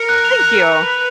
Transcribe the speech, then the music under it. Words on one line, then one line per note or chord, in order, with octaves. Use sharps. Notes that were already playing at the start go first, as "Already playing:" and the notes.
Thank you!
Already playing: A#4 C#7
F#6
F7
F#6
B4 C#7
F#6
F#6